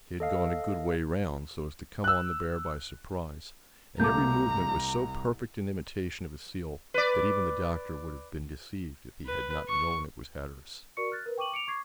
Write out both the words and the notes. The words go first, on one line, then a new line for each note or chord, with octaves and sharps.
He had gone a good way round, so as to come on the bear by surprise, and every movement was so perfect an imitation of a seal, that even the Doctor would have been deceived if he had not known it was Hatteras.
A4 D#5 F5
E6 F#6
C2 A3 A#3 A4 A#5 D6 G6
B4 D5
B4
C#6
F#4 A#4 D5 C#6 C#7
F6 F#6 A6
A#4 B4
G5 C#6 D6 D#7 F#7
D6 C#7 D7 F7
C#6 D6 G#6 C7